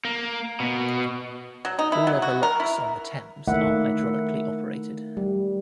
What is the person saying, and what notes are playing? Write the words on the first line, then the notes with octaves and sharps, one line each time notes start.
All other locks on the Thames are hydraulically operated.
A#3
B2
F#3
D#4
E4
F#3
F#4
A#4
E4
D#3 A3 A#3 E4 E5 F#5
G3